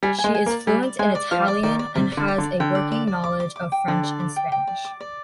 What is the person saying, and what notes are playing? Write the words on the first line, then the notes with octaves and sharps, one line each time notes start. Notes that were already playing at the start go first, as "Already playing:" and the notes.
She is fluent in Italian and has a working knowledge of French and Spanish.
G3 G#5
G#5
G#3
G#5
A#3
D5
G3 G#5
D5
G#3 G#5
D5
F3 F5
D5
D#3 D5
D5
C3 D5
D5
D3
D5
D3
D5
D3 G5
D5
D5
D5
D6
D6
D6
G5
D3 D5
D5
D6
G5
G5
D5
D6
D5